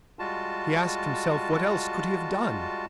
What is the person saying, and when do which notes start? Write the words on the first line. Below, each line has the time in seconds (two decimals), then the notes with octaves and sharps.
He asked himself what else could he have done.
0.19 G3 G#3 F4 F#4 A5